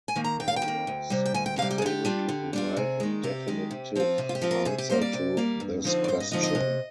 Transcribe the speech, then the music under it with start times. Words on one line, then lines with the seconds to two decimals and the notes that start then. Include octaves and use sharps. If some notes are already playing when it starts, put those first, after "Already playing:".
Walras was not able to provide a definitive answer to this question.
0.08 G#5
0.16 D#3 A#3
0.24 A#5
0.40 D#2 G5
0.48 F5
0.56 G5
0.63 D#3 A#3
0.87 D2
1.10 C3 G3
1.26 G5
1.34 D2 G#5
1.46 G5
1.58 C3 F5
1.62 G3
1.71 G4
1.78 G#4
1.82 D3 G4
2.05 G3 D4 F4
2.29 D3
2.53 G3 D4 F4
2.77 C3 G#4
3.00 D#3 G#3
3.23 C3 G4
3.48 D#3 G#3
3.71 C3
3.96 F3 C4 F4
4.18 C3
4.29 F4
4.35 G4
4.42 F3 C4 F4
4.51 A#4
4.65 C3 G#4
4.78 G4
4.90 G3 A#3 C5
5.02 D5
5.13 C3
5.37 G3 A#3
5.60 G2
5.84 D3 F3 C4 D#4
6.04 D5
6.08 G2 C5
6.20 D#5
6.31 D3 F3 C4 D#4 D#5
6.43 D#5
6.55 C3